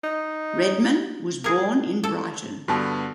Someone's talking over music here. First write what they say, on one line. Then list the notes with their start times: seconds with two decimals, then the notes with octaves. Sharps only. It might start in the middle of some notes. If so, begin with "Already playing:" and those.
Redman was born in Brighton.
0.04 D#4
1.44 G#4 A#4
2.04 A4
2.68 G2 D3 B3 F#4 A5 B5